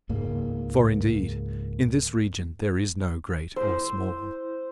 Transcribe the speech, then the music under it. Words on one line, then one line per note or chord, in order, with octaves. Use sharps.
For indeed in this region there is no great or small.
C#2 G#2 A#3
E4 C5